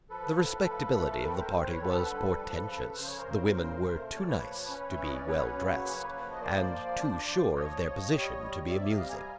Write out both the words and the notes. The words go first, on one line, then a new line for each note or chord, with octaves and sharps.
The respectability of the party was portentous. The women were too nice to be well dressed, and too sure of their position to be amusing.
F3 A4 B4
A2
F3
A3
A#4
C4 A4 B4
A#4 C5
C4
C5
B4 C#5
D3 A4 B4
G3
F3
C#3
C#3 C5
C#5
A#4 C5
C#3
A#2
A3
A#2 C#5
D5
B4 C#5
F3
C#4
E5
C#4 D#5
D5
F#3 B4 C#5
C#3
A#3
F3
D#5
A#3 C5 D5
F3
D4
F3
F3 C#5 D#5
F3
G3
G3
C3 D5 E5
D#5 F5
G3
G#5 A#5
A#5